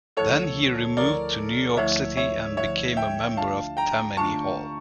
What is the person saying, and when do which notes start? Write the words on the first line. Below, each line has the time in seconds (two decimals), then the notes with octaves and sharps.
Then he removed to New York City and became a member of Tammany Hall.
0.17 D2 D3 F3 A3 E4 A4 C#5
0.97 D2 D3 F3 A3 E4 A#4 D5
1.76 D2 D3 F3 A3 E4 C#5 E5
2.17 C#5 E5
2.57 D2 D3 F3 A3 E4 C#5 E5
2.97 E5 G5
3.37 D3 A3 D4 F4 F5 A5
3.77 G5 A#5
4.17 D3 A3 D4 F4 A5 C#6